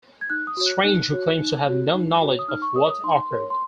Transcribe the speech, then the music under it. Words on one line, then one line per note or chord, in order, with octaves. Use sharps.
Strange who claims to have no knowledge of what occurred.
G#6
D#4 F#6
D#6
F#4 C#5
F#6
D#4 F#6
F#4 C#5
D#4
F#4 C#5
D#4
F#4 C#5
D#6
D#4 F6
C#6
A#4 C#5 D#6
D#6
D#4 C6
A#4 C#5
C6